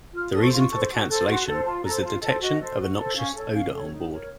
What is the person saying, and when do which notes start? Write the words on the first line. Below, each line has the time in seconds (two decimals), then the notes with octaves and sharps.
The reason for the cancellation was the detection of a noxious odor on board.
0.14 F4 F6
0.33 A4 C5 D#6
0.42 C#6
0.50 F4 C6
0.59 C#6
0.70 A4 C5
0.90 F#4
1.08 A4 C5
1.27 F#4 C6
1.46 A4 C5
1.65 F4 A5
1.84 A4 C5 A#5
2.03 F4 A5
2.21 A4 D#5
2.26 C5
2.40 F#4 D#5
2.60 A4 C5
2.78 F#4
2.97 A4 C5
3.16 C#4 F5
3.34 A4 C#5
3.53 C#4 F5
3.72 A4 C#5
3.91 D#4
4.10 A#4 C#5